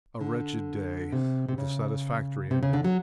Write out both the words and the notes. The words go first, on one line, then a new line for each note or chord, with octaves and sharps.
A wretched day with satisfactory ending.
D3
C3
C3
C#3
C3
C#3
D3
F#3